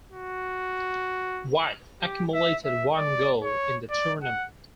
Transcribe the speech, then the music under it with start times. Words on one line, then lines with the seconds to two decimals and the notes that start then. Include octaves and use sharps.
White accumulated one goal in the tournament.
0.12 F#4
2.02 G4
2.34 E5
2.65 E5
2.97 D5
3.44 C#5
3.91 D5
4.23 F#5